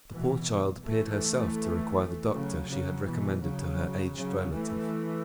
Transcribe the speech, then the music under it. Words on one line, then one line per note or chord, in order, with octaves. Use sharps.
The poor child appeared herself to require the doctor she had recommended to her aged relative.
B2 E3
E3 A3
C#3 F#3
C#3 F#3
B2 E3
C#3 F#3
C#3 F#3
E3 A3